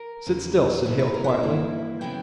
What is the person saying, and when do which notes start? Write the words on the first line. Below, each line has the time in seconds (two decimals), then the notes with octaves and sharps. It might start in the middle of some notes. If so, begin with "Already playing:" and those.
"Sit still," said Hale, quietly.
Already playing: A#4
0.26 E2 C#3 G3
0.85 G2 E3 A#3 E4 B4
0.99 B4
1.14 A#4
1.24 F#5
1.29 E5
1.43 G2 E3 A#3 E4
2.01 C#3 F#3 B3 E4 G5